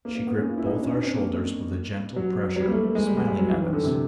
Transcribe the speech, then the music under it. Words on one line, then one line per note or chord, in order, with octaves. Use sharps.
She gripped both our shoulders with a gentle pressure, smiling at us.
A#3
A#3
B3
C#4
F4
E4
D#4
D4
C#4
D#4
D4
C4
A#3
F#3
F#3
G3
A#3
A3
A3
G#3
G3
G#3
G3
F#3
E3
D#3
D3
C3